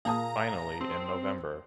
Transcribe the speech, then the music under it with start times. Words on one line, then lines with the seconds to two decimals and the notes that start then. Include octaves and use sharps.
Finally in November.
0.05 A#2 A#3 G#4 F5 A5 A#5 D#6
0.81 C4